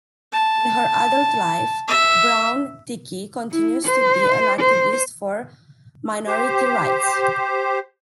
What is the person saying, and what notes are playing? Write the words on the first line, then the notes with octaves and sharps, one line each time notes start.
In her adult life, Brown-Trickey continues to be an activist for minority rights.
A5
E5
E4
C5
C5
G4 C5